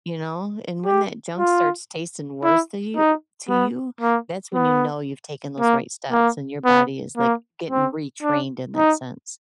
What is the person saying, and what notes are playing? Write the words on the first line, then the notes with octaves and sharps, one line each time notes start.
you know? And, when that junk starts tasting worse to you to you, that's when you know you've taken those right steps and your body is, like, getting retrained in that sense.
G4
F4
E4
D#4
B3
A#3
B3
A#3
A#3
B3
A#3
C4
D4
D#4